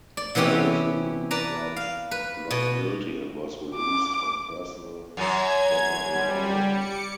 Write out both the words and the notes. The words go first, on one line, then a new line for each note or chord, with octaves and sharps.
Ellison pled not guilty and was released on personal recognizance.
D5
C3 E3 B3 C#4 G4
B4 D5 A5 A#5
F5
B4
B2
D6
F#2 F#3 G#6
G3
D6 C#7